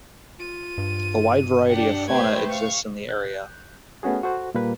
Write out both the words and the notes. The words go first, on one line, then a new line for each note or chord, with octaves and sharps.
A wide variety of fauna exists in the area.
F4 D#7
G2
D4 G4 F#5
A3 G4 B4 C5 G#6
F5 C#6
F#6 G6
A3 B3 C#4 F#4 G#4
F#4 A4 C5
A#2 G3 A#3 B4